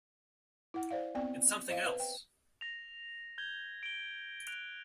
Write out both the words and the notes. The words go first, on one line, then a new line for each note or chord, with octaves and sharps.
It's something else!!!
E4 F#5
C5 D5 F5
B3 C4 D5 G5
C5 D#5 F5
B4
G5
A#6 F7
G6 G#6 G7
D7 F7 G7
F#6 D7 F7